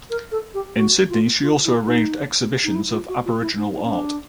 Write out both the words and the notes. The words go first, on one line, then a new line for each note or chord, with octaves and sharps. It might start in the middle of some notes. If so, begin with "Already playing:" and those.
In Sydney she also arranged exhibitions of Aboriginal art.
A#4
A4
G4
F#4
F4
F4
E4
D#4
D#4
E4
F4
F#4
F4
E4
D#4
D#4
C#4
D4